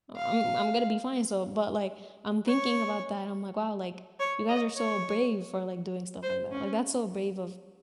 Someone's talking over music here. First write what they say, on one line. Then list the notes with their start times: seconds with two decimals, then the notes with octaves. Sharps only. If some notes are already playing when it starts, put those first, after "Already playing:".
I'm I'm gonna be fine, so but, like, I'm thinking about that, I'm like, "Wow, like, you guys are so brave for, like, doing stuff like that." Like, that's so brave of
0.16 F5
2.48 C#5
4.20 C#5
4.49 D#5
4.78 C#5
6.23 C5
6.51 C#4